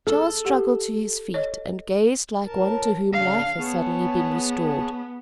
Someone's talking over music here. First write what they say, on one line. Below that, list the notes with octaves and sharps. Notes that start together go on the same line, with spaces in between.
Charles struggled to his feet and gazed like one to whom life has suddenly been restored.
G#4 A4
G4 F#5
C#5 D#5
A2 A#4 A5
C#3 D4 F5
B3 G#4 C#5 A5